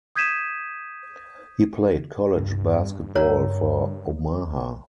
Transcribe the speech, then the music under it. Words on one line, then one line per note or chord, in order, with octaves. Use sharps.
He played college basketball for Omaha.
D#6 G6 G#6 B6 D#7 E7
G2
A#4 C#5 A#5